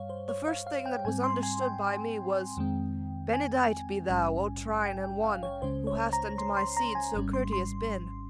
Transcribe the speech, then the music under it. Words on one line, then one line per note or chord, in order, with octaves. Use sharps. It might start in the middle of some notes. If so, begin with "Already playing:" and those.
The first thing that was understood by me Was "Benedight be Thou, O Trine and One, Who hast unto my seed so courteous been!"
Already playing: G2 G3 C#5 F5
C5
C#5
F5
F5
G5
G#2 G3 C4 G#5
C6
G#5
G5
F2 D#3 G#3 C4
G#5
A#1 G#2 G3 C#4
G5
G5
F5
C#5
C#2 C#3 G#3 C#4 C5
C#5
A#5
C6
C6
A#5
G#5
G#1 G#2 G3 C#4
C6
C6